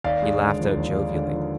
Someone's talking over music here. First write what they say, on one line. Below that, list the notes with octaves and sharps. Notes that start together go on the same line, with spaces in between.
He laughed out jovially.
D#2 D5 F5
G#3
D3
F3
D#2
G#3
D3
F3